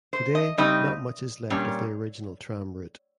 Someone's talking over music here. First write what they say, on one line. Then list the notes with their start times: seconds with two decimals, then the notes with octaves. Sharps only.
Today not much is left of the original tram route.
0.13 C5
0.35 D#5
0.58 C#3 G3 C4 D#4 D#5
1.50 A#2 G3 C#4